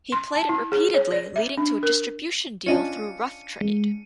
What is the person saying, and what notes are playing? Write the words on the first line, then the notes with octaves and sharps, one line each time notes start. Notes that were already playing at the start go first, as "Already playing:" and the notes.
He played it repeatedly leading to a distribution deal through Rough Trade.
C6
A5
E4
G#4
C#5
D5
E5
D4
A#4
C#4 D4 F4 D#5 A5 C#7 D#7
G#3